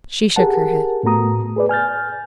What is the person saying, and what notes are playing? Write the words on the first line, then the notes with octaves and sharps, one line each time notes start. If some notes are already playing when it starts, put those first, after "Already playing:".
She shook her head.
G4 G#4 A#4 F#5 A5
A2 A3 B3 F#4 A#5 D#6
G#4 B4 D5
G#5 F6 G6 A6